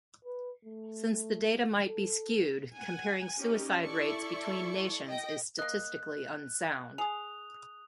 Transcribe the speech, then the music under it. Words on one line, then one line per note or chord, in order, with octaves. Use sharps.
Since the data might be skewed, comparing suicide rates between nations is statistically unsound.
B4
A3
A4
F#5 G#5
C#4 D#4 G4
E4 A4 D5 C#6
D#5 G5 A#6
A#3 D#5 F#6
G#4 D#6 F7